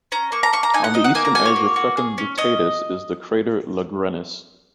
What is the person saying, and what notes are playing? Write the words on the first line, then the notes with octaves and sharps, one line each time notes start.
On the eastern edge of Fecunditatis is the crater Langrenus.
C#4 A#5
A#3 C#6
A#5
A#3 C#6
A#5
D#4 G#5
F#5
D#4 D#5
F#5
A#3 G#5
A#5
F#4 G#5
C#5
A#3
F#4
G#4
C#4
C#4 D#5